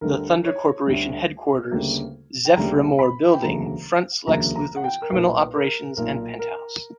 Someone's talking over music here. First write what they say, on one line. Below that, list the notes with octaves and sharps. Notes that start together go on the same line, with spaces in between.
The Thunder Corporation headquarters "Zephrymore Building" fronts Lex Luthor's criminal operations and penthouse.
D2 D3 G3 A#4
C#5
D2 D3 G3
D2 C#3 G3 A#3
G5
D2 C#3 G3 A#3 A#5
B5
G5
E1 D2 C#3 F#3 A#3 A#5
E1 D2 C#3 F#3 A#3 A#5
A#5
F#5
G5
A#4
B1 A#2 A#3 B4
A#4
B1 A#2 A#3 A#4
A#4